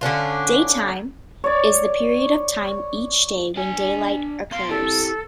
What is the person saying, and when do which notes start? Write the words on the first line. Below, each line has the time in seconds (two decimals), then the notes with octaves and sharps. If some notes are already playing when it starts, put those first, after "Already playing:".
"Daytime" is the period of time each day when daylight occurs.
0.01 D3 C#4 D4 F4
1.44 C#5 D5
3.56 D4 G#5
4.52 B2 F5 C6
4.69 E4 G4 A4